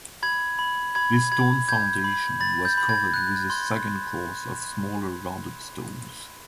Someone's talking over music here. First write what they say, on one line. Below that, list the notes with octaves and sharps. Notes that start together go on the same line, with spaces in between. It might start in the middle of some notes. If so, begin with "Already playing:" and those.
This stone foundation was covered with a second course of smaller rounded stones.
B5 G#6
B5
B5 G#6
B5 G#6
G6 G#6
B5
B5 A6
G6
B5
G#6
F#6
C6